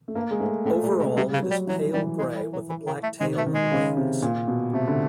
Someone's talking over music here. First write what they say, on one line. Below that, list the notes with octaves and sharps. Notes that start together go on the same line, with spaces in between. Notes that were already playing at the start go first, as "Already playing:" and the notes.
Overall it is pale grey with a black tail and wings.
A3
G2 A#3
G#3
G#2 A3
A2 A3
A#2
G#3
B2
C3 G3
C#3
F#3
G3
E3 F#3
E3 G3
G#3
G3
F#3
E3
D#3
A3
D#3 G#3
A3
D#3
G#3
C#3
C3
A#2
B2
C3 A3
D3